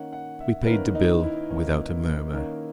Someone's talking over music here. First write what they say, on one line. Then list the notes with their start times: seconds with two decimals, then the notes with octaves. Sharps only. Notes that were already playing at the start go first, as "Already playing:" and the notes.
We paid the bill without a murmur.
Already playing: D#3 A#3 C#4 F#5
0.13 F#5
0.40 E5
0.62 B4
0.67 D#3 A#3 C#4 A#4
0.95 D#4
1.23 E4
1.50 D#3 A#3 C#4
2.33 D#3 A#3 C#4